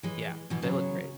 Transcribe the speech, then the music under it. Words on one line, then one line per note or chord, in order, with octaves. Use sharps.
Yeah, they look great.
E3 G#3
B2 E3
C#3 F#3